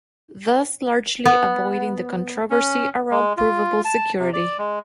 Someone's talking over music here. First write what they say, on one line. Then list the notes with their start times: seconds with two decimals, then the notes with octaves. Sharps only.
Thus largely avoiding the controversy around provable security.
1.25 B3
2.50 C#4
3.11 G#3
3.37 F4
3.85 A5
4.20 C3
4.33 D5
4.58 G#3